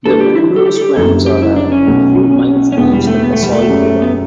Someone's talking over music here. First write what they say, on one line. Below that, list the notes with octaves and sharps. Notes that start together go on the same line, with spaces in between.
The mangrove swamps are a few miles east at the Salt River.
D3 G3 D4 F#4 A4 B4
G4
E4
A4
G4
A4
G4
F#1 F#2 D3 G3 A4
G4
E4
D4
C#4
B1 B2 A3
C#4
E1 E2 D3 B3
G3
A3
B3
A3
G3
A3
F#2 C#3 F#3 C#4 G4
B3